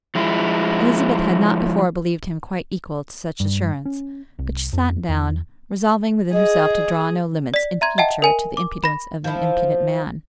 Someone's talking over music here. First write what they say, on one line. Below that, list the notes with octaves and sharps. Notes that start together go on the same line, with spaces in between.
Elizabeth had not before believed him quite equal to such assurance; but she sat down, resolving within herself to draw no limits in future to the impudence of an impudent man.
F3 G#3 E4
G2
C#4
C2
F2
E2
G#4 D#5
D5 B6
E5 A#5 C6 G#6
D#5 E5 F#5 G5 A5
A#4 G#5 D#7
D6
B5 A#6
F3 E4